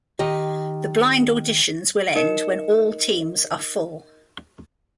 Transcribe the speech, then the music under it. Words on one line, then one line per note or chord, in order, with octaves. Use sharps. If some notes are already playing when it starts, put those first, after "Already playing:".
The Blind Auditions will end when all teams are full.
D#3 G4 D#5
D#4 A#4 D#5 C#7 E7